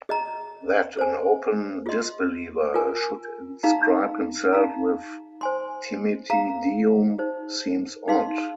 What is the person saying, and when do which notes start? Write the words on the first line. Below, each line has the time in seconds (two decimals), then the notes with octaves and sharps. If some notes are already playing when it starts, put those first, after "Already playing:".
That an open disbeliever should inscribe himself with Timete Deum seems odd.
0.09 G#4 D#5 A#5
0.97 G#4 C5 G#5
1.86 F4 G#4 D#5 C6
2.74 F4 A#4 G#5
3.63 D#4 G#4 F5 A#5
4.53 D#4 G#4 F5 A#5
5.41 C5 G#5 C6
6.30 G#4 F5 A#5
7.18 D#4 G#4 C5
8.08 D#4 G#4 F5 C6